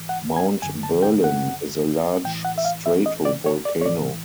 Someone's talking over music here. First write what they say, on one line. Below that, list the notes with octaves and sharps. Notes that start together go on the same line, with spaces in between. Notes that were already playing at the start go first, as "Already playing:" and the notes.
Mount Berlin is a large stratovolcano.
Already playing: G#2 E3
F#5
G#5
F#2 D3 G#5
A5
G5
F#5
A2 E3 G5
F#5
E5
F5
E5
D#5
D5
C#5
D5
C#5
A2 E3 D5